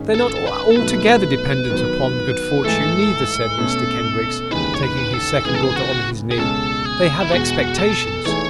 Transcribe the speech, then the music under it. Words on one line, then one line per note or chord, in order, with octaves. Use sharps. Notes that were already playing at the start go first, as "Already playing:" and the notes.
'They're not altogether dependent upon good fortune, neither,' said Mr Kenwigs, taking his second daughter on his knee; 'they have expectations.'
Already playing: G#2 D#3 G#3 C#4 G#4
A4
B4
A4
B2 F#3 A3 D#4 B4
D#3 F#3 B3
G#2 E3 A3 A4
B2 A3 C#4
D#2 C#3 E3 G#3 D#4 B4
C#5
B4
A4
C#3 E3 G#3 B3 G#4
A4
G#4
F#4
G#4
C#2 B2 G#3 C#4 A4
G#4
E4
E2 B2 G#3 F#4
A4
E3 A3 D#4 G#4 C#5